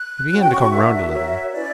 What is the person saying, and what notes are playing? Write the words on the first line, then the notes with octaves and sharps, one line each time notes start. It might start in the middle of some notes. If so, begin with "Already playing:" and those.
He began to come round a little.
Already playing: F#6
C#4 F#4 C#5 F#6
G5
C#6
C#6
D4 F#4 A#4 E5
F#4 A#4 C#5
C#4 E4 B4 D5